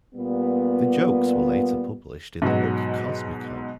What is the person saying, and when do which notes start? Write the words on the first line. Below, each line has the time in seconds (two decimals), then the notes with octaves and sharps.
The jokes were later published in the book Cosmico!
0.15 A#2 G3 B3
2.42 G#2 B2 F#3 F#4